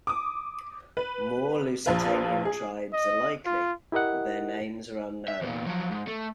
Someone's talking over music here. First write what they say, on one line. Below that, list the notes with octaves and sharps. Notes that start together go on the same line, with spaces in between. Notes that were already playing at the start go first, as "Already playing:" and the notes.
More Lusitanian tribes are likely, but their names are unknown.
D6 D#6
B4
A#1 F3 F4 B4
G#4
D#5
F4
E4 G4 A#4 D#5 F#5
E5
E2 A#2
F3 F#3
G#2
A3